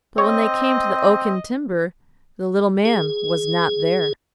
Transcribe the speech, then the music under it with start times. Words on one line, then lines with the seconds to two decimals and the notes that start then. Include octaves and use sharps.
But when they came to the oaken timber the little man was not there.
0.18 C4 C#5 D#5
2.85 G#4